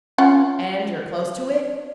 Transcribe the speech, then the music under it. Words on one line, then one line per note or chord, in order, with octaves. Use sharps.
"And you're close to it?"
C#4 F4 F#5